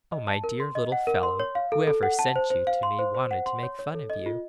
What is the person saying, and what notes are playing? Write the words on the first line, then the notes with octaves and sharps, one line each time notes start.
Oh, my dear little fellow, whoever sent you to me wanted to make fun of you.'
D#5
A5
A#4
C6
D#5
F#5
A#4
C6
C#5
F5
A4
A4
F#5
A5
C5
C5
F5
C6
C5
C5
F#5
C6
C#5
C#5
A4
D#5
F4